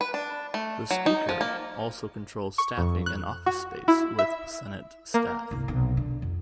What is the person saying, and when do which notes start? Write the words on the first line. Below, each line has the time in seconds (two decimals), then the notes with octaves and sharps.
The Speaker also controls staffing and office space with Senate staff.
0.01 B4
0.14 D4
0.54 A3
0.91 F#3
1.06 D#4
1.29 F3
1.41 A#3
2.58 C#6
2.78 F2
3.06 F#6
3.46 F#4
3.88 E4
4.19 E5
5.14 A#3
5.51 G1 C2
5.68 B1 C3
5.97 D3
6.22 F2